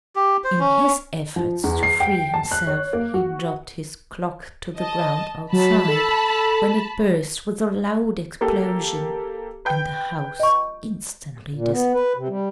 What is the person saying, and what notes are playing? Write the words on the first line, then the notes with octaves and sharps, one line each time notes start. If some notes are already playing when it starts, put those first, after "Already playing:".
In his efforts to free himself he dropped his clock to the ground outside, when it burst with a loud explosion, and the house instantly disappeared.
G4
C5
C#4
F3
E2
C7
G5
A5
F#6
C#5
A#3
F#4
D#5 A5
F#3 A5 B5
A4
A#3 G4 A4
B4 G5 G6
D#5 C#6
A#2
B3
B4
C3
G3